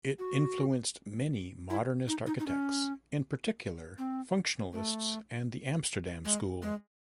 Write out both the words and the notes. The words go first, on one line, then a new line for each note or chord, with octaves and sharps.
It influenced many modernist architects, in particular functionalists and the Amsterdam School.
F#4
E4
D#4
D#4
D#4
C#4
C4
A3
G#3
G#3